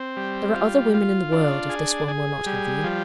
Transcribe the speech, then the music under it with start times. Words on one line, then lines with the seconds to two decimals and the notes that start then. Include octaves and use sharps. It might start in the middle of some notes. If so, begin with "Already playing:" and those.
'There are other women in the world, if this one will not have you.'
Already playing: C4
0.17 G3
0.55 F4
0.94 F4
1.32 D4
1.69 G#4
2.08 G#4
2.46 G3
2.84 F3